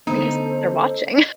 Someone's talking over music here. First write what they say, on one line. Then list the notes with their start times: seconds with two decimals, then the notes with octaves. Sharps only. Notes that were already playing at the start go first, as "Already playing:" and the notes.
Because they're watching.
0.07 D3 A3 B3 C#4 D#4 A4 C5 D#5